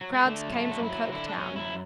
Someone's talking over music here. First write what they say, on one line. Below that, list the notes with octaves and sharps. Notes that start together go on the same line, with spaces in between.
Crowds came from Coketown.
F#3
G#3
D3 A3
F#2
A3
F#2 F#4
E4
F#3
D3 E4
D4
F#2 C#4
F#2 E4